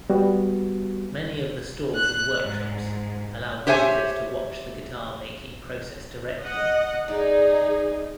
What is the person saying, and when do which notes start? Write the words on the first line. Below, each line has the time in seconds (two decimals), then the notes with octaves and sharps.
Many of the stores and workshops allow visitors to watch the guitar-making process directly.
0.10 G3 B3 F#4
1.94 F#6
2.41 G#2
3.67 G4 C5 C#5 E5 G#5
6.40 D#5 F#5
7.08 D#4 G#4 D5